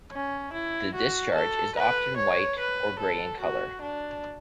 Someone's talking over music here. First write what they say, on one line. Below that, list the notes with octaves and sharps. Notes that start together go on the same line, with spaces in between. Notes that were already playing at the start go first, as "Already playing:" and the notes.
The discharge is often white or gray in color.
C#4
E4
F#4
A4
B4
C#5
B4
A4
F#4
D4